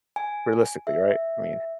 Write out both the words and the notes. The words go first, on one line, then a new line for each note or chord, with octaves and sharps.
realistically, right? I mean
G#5
E5